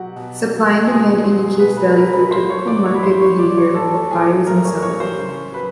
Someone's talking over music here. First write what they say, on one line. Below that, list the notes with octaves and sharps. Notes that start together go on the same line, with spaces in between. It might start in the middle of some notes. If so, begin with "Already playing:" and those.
Supply and demand indicates value through typical market behavior of both buyers and sellers.
Already playing: B2 F#3 F#4 G4 F#5
B2
F#3
B2 G#4 G#5
F#3 C5 C6
B2 B4 B5
B4 B5
B5
F#3 A#4 A#5
B4 B5
A2 C5 C6
C#5 C#6
E3 D5 D6
C#5 C#6
B5
A2 C5 C6
C#5 C#6
E3 D5 D6
C#5 C#6
A2 A4 A5
E3 G#4 G#5
A2 A#4 A#5
C#5 C#6
E3 C#5 C#6
C5 C6
C#3
F#3 B4 B5